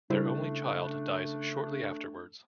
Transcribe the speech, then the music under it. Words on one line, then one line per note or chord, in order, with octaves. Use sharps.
Their only child died shortly afterwards.
C#3 G3 A3 D4 E4 C5